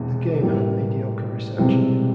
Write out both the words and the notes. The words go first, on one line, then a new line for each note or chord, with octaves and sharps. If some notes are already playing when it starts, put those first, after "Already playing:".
The game had mediocre reception.
Already playing: E1 E2 C3 E3
A1 A2 G3 A#3 E4
E1 E2 C3 G3 C4